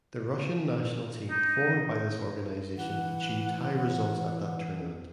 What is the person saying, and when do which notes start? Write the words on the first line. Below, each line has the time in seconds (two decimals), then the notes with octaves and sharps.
The Russian national team formed by this organization achieved high results at that tournament.
1.31 D#4
2.78 E3 F#5